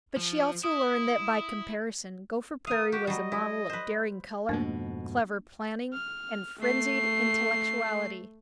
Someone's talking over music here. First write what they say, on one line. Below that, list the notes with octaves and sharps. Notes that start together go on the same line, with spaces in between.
But she also learned that by comparison Gopher Prairie was a model of daring color, clever planning, and frenzied intellectuality.
F3
E4 D#6
A#4 F5 D#6
F#4 G4
F#3 G3 D#5
E4
B4 C5
F2 G#2 B2 A3 A#3 D4
F6
A3 C7